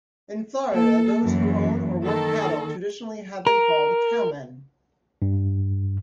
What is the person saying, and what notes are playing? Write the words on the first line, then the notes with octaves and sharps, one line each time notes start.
In Florida, those who own or work cattle traditionally have been called cowmen.
A#3 A4
F#2 E3
D#3 A4
A#4
G2